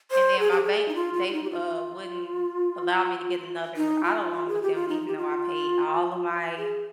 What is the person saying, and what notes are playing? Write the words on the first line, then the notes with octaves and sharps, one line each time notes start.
And then my bank, they, uh, wouldn't allow me to get another auto loan with them even though I paid all of my
C5
G#4
G4
G#4
D#4
F4
F4
F4
D#4
G4
F4
D#4
F4
G#4
G4
F4
D#4
G4
F4
G#4